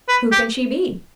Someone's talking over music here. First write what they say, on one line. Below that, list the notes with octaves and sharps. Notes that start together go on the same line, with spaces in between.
Who can she be?
B4
G4